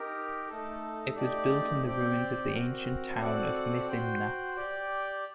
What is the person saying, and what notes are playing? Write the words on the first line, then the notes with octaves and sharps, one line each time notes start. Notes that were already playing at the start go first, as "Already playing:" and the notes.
It was built in the ruins of the ancient town of Mythimna.
Already playing: D#4 G4 A#4
A3 D#4 A4
A3 D#4 G4 D5
C4 G4 D5 G5
C4 F#4 A#4
C4 F#4 A4 D5 F#5
F#4 C5 G5
G4 D5 G5